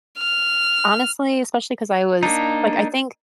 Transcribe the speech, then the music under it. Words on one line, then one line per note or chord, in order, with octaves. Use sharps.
honestly especially 'cause I was like, I think
F6
A#3 D4 D#4